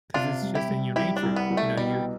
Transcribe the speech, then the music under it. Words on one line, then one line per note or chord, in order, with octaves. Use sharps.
'Cause it's just in your nature, you know, you're
C3 D4 F4
G3
E4 G4
G3
C2 E4 G4
D4
C2
B3
C2
A3
B2 G3